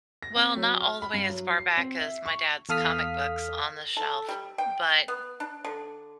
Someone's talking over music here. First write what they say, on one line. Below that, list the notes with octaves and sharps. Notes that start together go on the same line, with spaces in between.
Well, not all the way as far back as my dad's comic books on the shelf, but
A#6
C4
F#3
F6
B5
G2
F#3
C7
C4
E5
C#6
E2 A4 F5 D#6 F6 B6
A4
G3
G5
B3
D4
D3